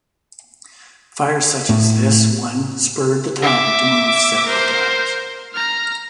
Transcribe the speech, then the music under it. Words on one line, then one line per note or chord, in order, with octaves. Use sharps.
Fires such as this one spurred the town to move several times.
A2
E5 D6
A#4 C5
A#5 F6